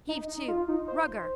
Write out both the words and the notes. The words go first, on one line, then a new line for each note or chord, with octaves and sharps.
Heave to. Rugger.
D#4
D#4
F4
D#4
C5